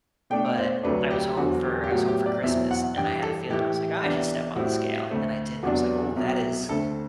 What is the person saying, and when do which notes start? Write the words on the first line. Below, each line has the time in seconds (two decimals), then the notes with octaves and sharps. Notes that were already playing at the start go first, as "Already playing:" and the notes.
but I was home for I was home for Christmas, and I had a feeling, I was like, "Oh, I should step on the scale," and I did, and I was like, "Ooh, that is
0.30 B2 A3 D4 G5
0.58 C5
0.83 D2 C3 F#3 A3 D4 B4
1.11 G4
1.37 E2 D3 F#3 C4 F#4
1.64 G4
1.84 G4
1.90 A2 F#3 B3 F#4
2.08 G4
2.26 D5
2.43 E2 B2 F#3 C4 E4 E5
2.71 F#5
2.97 G2 E3 G3 G5
3.23 A4
3.49 A2 E3 A3 E4 G4
4.03 C2 C3 E3 B3 D4
4.56 A2 G3 C4 E4 F#4
5.10 D2 D3 A3 C4
5.63 E2 C3 F#3 B3 D4 F#4
6.16 C2 B2 F#3
6.69 D2 D3 A3 C4 A4